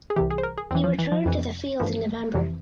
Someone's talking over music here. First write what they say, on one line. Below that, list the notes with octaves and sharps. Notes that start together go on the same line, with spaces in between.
He returned to the field in November.
G#4
C2 C3 E3 G4
G#4
C5
A#4
G#4
E2 E3 C4
F3
E3
F3
F2 C3 E3
G2 E3 F3
F2 C3 E3